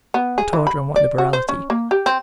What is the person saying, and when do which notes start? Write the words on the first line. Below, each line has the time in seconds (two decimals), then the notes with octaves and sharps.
What order and what liberality!
0.14 B3
0.38 G#4
0.53 E3
0.67 B5
0.96 D5
1.18 F#4
1.33 C5
1.49 C#4
1.70 A#3
1.91 G4
2.06 C4